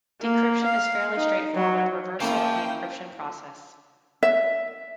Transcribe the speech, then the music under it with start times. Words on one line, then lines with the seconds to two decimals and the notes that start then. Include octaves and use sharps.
Decryption is a fairly straightforward reversal of the encryption process.
0.21 A#3
0.64 F5
1.17 D#4
1.54 F#3
2.20 A#3 C#4 E4 A#4 F5 G5 A5
4.23 E5